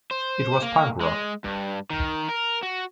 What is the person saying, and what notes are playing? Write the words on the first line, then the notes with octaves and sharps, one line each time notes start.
It was punk rock.
C5
A#3
G#3
G2
D#3
A#4
F#4